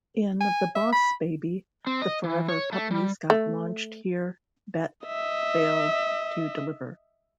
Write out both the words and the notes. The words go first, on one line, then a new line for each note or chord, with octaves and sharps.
In The Boss Baby, the Forever puppies got launched here bet failed to deliver.
G#5
E5
B5
C4
D#5
E3
C#5
A3
G3
A3
D#5 E5